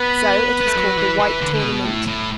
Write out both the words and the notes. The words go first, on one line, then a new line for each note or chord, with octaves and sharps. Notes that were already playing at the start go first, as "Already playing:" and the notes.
So it was called the White Tournament.
Already playing: B3 B4
B3
A3
F#3
E3
E3
D3
D3
B2
A2
A2